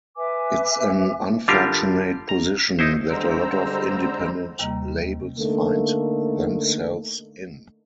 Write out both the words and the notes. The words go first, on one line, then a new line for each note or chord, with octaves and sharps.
It's an unfortunate position that a lot of independent labels find themselves in.
B4 E5 G#5 D6
D3 G3 D4 F4 G4 A#4
A#5
D#4 E4 C5
D3 G3 G#3 C5 A#5 E6
D#2 C3 G3 A#3 D#5 A#5
D3 A3 A#3 D#4